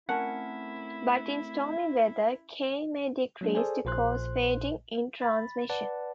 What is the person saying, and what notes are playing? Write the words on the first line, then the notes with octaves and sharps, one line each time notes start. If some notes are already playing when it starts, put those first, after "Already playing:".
But in stormy weather, "k" may decrease to cause fading in transmission.
A3 C4 C#4 E4 A#4 F#5 A5
F#3 A#3 D4
G#4 A4 C5 D5 G#5
A#1 A#2 C5 C6 F#6
B5 A6
B4 D5 F#5 A5